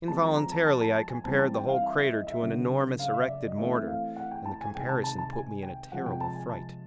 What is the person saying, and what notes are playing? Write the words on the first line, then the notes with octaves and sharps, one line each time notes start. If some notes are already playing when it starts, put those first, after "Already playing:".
Involuntarily I compared the whole crater to an enormous erected mortar, and the comparison put me in a terrible fright.
F3 G#3 C4 A5
A#5
A#5
A5
A5
A5
A5
G#5
E3 G3 C4 A5
A5
G5
F5
E5
E5
D#5
E5
C#3 F#3 A#3 D4
F5
E5
D5
D#5
E3 A3 C4 E5
F5
F#5
G5
A5
G#5
C3 D#3 G#3 G5
A5
A5
A5
G#5
G5
C3 F3 G#3 F#5
G5
A5
G#5
A5